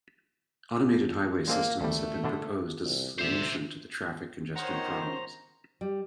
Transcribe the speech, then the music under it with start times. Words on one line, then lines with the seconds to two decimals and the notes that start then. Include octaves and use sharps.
Automated highway systems have been proposed as a solution to the traffic congestion problems.
1.48 G#3 A#3 C4 D4
1.81 D2 G3 A3
2.24 B2 D3 D4
2.86 C2
3.19 D2 C5 E5
4.56 D#3 C5 C#5 F#5 A#5
5.81 G3